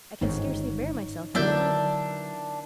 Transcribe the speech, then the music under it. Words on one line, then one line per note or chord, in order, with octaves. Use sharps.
I can scarcely bear myself any longer.
G1 G#2 D#3 D#4 C#5
D3 F#3 B3 D4 E4 A#4 E5 G6